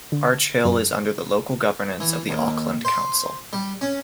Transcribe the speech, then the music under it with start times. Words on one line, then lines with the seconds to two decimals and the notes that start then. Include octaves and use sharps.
Arch Hill is under the local governance of the Auckland Council.
0.12 D3
0.65 F#2
2.00 E3
2.29 D#2
2.85 C5
3.53 G3
3.81 C#4